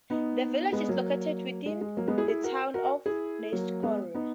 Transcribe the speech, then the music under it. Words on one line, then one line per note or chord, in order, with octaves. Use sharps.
The village is located within the Town of Neshkoro.
B3 D#4
G#3 B3
F#3 A#3
G#3
G#3
F#3 A#3
G#3 B3
E4 G#4
E4 G#4
F#4 A#4
F#4 A#4
E4 G#4
F#3 A#3
G#3 B3
B3 D#4